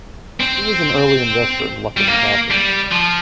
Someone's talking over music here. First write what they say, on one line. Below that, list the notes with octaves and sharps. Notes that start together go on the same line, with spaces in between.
Lu was an early investor in Luckin Coffee.
C4
G3
A#3
G3
F3